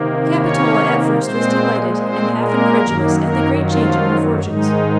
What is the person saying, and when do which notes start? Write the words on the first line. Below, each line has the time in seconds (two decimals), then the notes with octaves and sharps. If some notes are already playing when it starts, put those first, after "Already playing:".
Capitola at first was delighted and half incredulous at the great change in her fortunes.
Already playing: C3 D#3 A#3
0.39 C#4 C#5
1.19 A#2 G#3 C4 C5
2.00 C4 C5
2.40 A#3 A#4
2.80 F#2 D#3 F#3 A#3
3.20 A#3 A#4
3.61 F3 F4
4.41 G#2 D#3 G#3 D#4